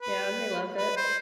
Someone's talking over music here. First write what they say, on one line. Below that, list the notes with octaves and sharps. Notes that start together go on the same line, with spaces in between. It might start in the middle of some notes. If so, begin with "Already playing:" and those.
Yeah, they love it.
B4
B4
C5